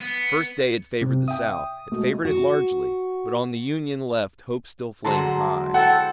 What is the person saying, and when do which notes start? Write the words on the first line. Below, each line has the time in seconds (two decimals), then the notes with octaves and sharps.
The first day had favored the South, had favored it largely, but on the Union left hope still flamed high.
0.01 B3
1.02 C3
1.28 E5 G5 D#6
1.92 B2 G#3 A3
2.25 F#4
5.05 D3 F#3 G#3 A5 A#5 C6
5.74 E4 A4 C5 F#5 G5